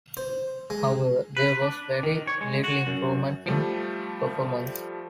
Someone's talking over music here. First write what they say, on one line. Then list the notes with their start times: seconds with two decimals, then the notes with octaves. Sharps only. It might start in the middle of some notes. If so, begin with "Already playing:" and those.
However, there was very little improvement in performance.
0.17 C5
0.70 G#3
1.37 B4
1.62 D4
2.03 D#3
2.27 C#5
2.41 G#3
2.64 F#4
2.87 F#2
3.46 F3 G3 A3